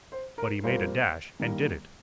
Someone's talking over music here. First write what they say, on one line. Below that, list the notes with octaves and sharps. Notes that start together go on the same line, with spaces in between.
But he made a dash and did it.
C5
A#4
A#2 G3 A#3 C5
D#3 G3 A#3